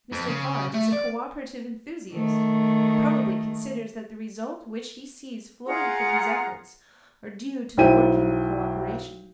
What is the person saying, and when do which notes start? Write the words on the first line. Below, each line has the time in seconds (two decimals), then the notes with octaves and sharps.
Mr. Hodge is a co-operative enthusiast and probably considers that the result which he sees flowing from his efforts are due to the working of co-operation.
0.12 F2
0.28 C#3
0.74 A3
0.92 D5
2.14 D#3 A3
5.67 F4 G#4 F#5 A#5
7.77 B1 E4 C5 G5 D#7